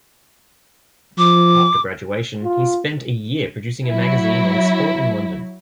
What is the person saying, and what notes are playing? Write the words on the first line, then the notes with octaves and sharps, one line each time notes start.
After graduation, he spent a year producing a magazine on sport in London.
F3 D6
F4
F#3 E4